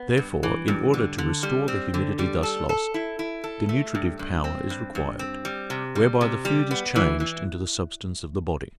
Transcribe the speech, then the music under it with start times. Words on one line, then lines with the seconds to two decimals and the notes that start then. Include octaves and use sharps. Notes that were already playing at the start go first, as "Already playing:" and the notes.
Therefore, in order to restore the humidity thus lost, the nutritive power is required, whereby the food is changed into the substance of the body.
Already playing: B3
0.17 G2
0.43 E3
0.68 G2
0.94 D3
1.18 D3
1.43 G3
1.68 C4
1.94 D3
2.19 G3
2.43 A4
2.69 A4
2.94 E4
3.19 E4
3.44 A4
3.69 A3
3.95 G2
4.19 G2
4.44 C4
4.70 G2
4.95 G2
5.19 C4
5.45 G3
5.70 C3
5.95 G3
6.21 C3
6.45 G3
6.71 B3
6.96 E3
7.20 E3